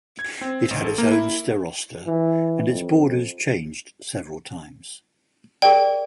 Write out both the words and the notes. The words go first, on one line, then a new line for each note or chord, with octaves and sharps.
It had its own starosta, and its borders changed several times.
G#6
C4
A1
A4
A#3
E4
E3
F2
G#4 A#4 D5 G5